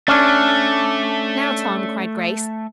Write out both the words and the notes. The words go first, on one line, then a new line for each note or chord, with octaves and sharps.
"Now, Tom," cried Grace.
A3 C#4 D4